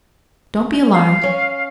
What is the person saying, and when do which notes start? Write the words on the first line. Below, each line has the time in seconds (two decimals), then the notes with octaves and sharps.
Don't be alarmed.
0.92 F5
1.23 C#4